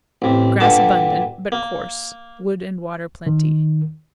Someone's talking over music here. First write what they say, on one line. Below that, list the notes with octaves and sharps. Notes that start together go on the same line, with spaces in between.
Grass abundant, but coarse; wood and water plenty.
A1 C3
G2 A#2 D3 A5
A#3
D#3